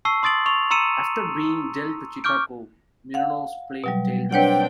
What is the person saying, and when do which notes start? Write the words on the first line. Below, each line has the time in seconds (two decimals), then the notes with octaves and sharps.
After being dealt to Chicago, Mironov's play tailed off.
0.05 A5 C#6 E6 C7
0.23 C6 D#6 A6 D7 F#7
0.46 C#6 F7
0.71 A#5 C6 E6 C#7 D#7 E7
2.24 C#6 D6 F6 G6 D7
3.14 F5 F#5
3.84 B2 F#3 G3
4.32 C4 D4 B4 C#5 F#5 G5